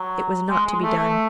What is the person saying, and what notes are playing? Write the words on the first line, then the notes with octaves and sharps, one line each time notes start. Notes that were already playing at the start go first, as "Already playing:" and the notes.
It was not to be done.
Already playing: F#3
G#3
G#3
A3
A3